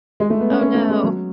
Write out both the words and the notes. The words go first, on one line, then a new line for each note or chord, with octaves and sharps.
Oh, no.
G#3
A3
B3
C#4
C#4
A3
G#3
F#3